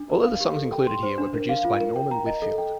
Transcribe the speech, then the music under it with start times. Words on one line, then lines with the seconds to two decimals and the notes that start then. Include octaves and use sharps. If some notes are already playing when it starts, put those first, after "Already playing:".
All of the songs included here were produced by Norman Whitfield.
Already playing: D4
0.10 A#4
0.25 F5
0.41 G4
0.56 A4
0.72 G5
0.87 C6
1.03 C5
1.18 D4
1.34 A#4
1.49 F5
1.65 F4
1.80 A#4
1.96 G5
2.11 A#5
2.26 D#5
2.42 A4
2.58 G5